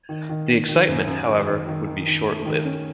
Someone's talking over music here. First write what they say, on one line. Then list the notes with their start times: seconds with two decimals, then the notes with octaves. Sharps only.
The excitement, however, would be short-lived.
0.09 D#3
0.29 D#3
0.49 D#3
0.69 D#3
0.88 F#2
1.07 F#2
1.27 D#3
1.47 D#3
1.67 D#3
1.87 D#3
2.07 D#3
2.26 A3
2.46 D#3
2.65 C#4